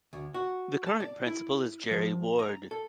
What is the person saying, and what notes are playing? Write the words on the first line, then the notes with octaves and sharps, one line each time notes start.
The current principal is Gerry Ward.
D2
F#4
A5
D5
E4
F3
A#5
A4